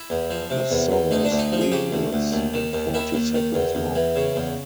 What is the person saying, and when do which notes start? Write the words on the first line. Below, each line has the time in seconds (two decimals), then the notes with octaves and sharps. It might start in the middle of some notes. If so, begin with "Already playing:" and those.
The song is three minutes and forty seconds long.
Already playing: E4
0.10 E2
0.30 F3
0.50 C3
0.71 E2
0.91 E2
1.11 D2 D#4
1.25 D4
1.31 D2
1.38 D#4
1.52 F3
1.61 G#4
1.72 C#3 G4
1.93 D2
2.13 D2
2.32 D#2
2.54 D#3
2.73 D#2
2.94 D#3 E4
3.14 D#2
3.35 D#3
3.54 E2
3.75 E2
3.95 E3
4.16 C#3
4.36 E2